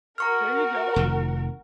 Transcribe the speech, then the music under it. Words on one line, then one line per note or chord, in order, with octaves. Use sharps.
There you go.
F#4 A#4 A#5 C#6 F6
F1 F2 D#3